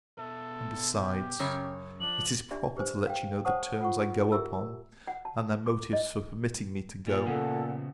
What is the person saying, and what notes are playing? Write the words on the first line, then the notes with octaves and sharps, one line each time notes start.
And besides, it is proper to let you know the terms I go upon, and their motives for permitting me to go.
B2 A4 E5
G4
F#2 C#3 C#5
F3 D4 F#7
D4 G4 D5 E5
G4 B4 C5 G#5
F5 G5
C5 C#5 F#5 A5 C#6 D#6
F4 F#5 C#6
G4 A#4 E5 E6
F#5
A5
D6
D#5
A#2 G3
C#3 B3 A4 F#5